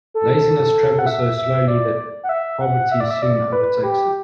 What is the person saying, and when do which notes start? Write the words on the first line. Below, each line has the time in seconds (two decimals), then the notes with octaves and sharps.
Laziness travels so slowly that poverty soon overtakes it.
0.14 A4
0.99 F#5
1.06 E5
1.37 E5
1.68 D5
2.23 F#5
2.29 E5
2.61 F#5
2.92 E5
3.00 D5
3.11 E5
3.22 D5
3.53 B4
3.84 G4